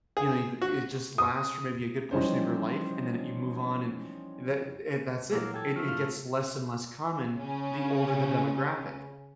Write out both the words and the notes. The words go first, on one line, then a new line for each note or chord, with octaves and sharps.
you know, it uh, it just lasts for maybe a good portion of your life, and then you move on and that and that's it; it it gets less and less common the older the demographic.
G#4
F#4
D#6
E3 F3 G3 C#4 D#4 C5
A#2 E3 F#3 A#3 E6
A4 G5 G#6
F3 A3 F#4 A4 E6 F6
G#2 F4 F6
C#3 C#4